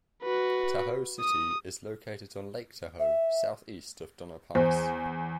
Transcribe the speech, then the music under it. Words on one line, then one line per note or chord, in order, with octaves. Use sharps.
Tahoe City is located on Lake Tahoe, southeast of Donner Pass.
F#4 B4
D#6
E5
E2 C5